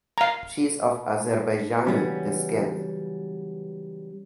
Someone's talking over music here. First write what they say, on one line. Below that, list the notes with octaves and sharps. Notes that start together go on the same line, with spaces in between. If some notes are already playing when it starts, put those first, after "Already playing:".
She is of Azerbaijani descent.
F5 A#5
C#3 E3 F#3 G3 B3 C#4